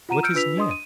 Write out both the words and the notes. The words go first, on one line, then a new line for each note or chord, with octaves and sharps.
What is near?
F4 F#5 A#5 D#7 E7
E6 F6 G6 C#7 D7
D4 F4 B4 E6 B6 F7
D4 D#5 C6 D#6
D#7